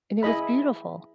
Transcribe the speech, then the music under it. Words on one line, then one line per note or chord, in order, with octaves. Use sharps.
and it was beautiful,
E4 G#4 D#5 B5